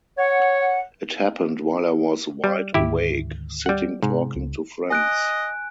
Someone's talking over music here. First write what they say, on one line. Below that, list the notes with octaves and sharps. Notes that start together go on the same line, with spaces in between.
It happened while I was wide awake, sitting talking to friends.
C#5 F#5
G3
D2 G#2 D#3 E4 G4
G3 F#5
G#2 C3
C#2
D#5 G#5 F#6 D7